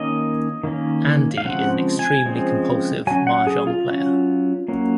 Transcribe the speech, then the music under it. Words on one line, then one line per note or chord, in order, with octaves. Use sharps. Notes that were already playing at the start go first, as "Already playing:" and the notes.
Andy is an extremely compulsive Mahjong player.
Already playing: D#3 A#3 C#4 D#5
D#3 A#3 C#4
F5
C#3 F3 G#3 C4 F#5
G#5
C#3 F3 G#3 C4
F#3 C#4 G#5
F#5
G#4
F4
F#3 C#4
F#3 A#3 C#4